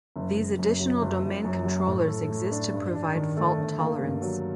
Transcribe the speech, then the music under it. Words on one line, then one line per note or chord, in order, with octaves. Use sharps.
These additional domain controllers exist to provide fault tolerance.
F#1
F#1
F#2
F#3
F#1
F#1
F#2
F#3
A2
A4
A3
D4
G2
D4
D#3
A3
G1
A#3
G2
F#3